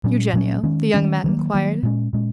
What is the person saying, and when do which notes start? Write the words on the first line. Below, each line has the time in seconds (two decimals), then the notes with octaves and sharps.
"Eugenio?" the young man inquired.
0.04 A#2 F#3 C#4
0.33 A#2 F#3 C#4
0.63 D#3 G#3 C#4
0.94 D#3 G#3 C#4
1.24 D#3 F#3 A#3
1.54 D#3 F#3 A#3
1.83 A#2 G#3 C#4
2.13 A#2 G#3 C#4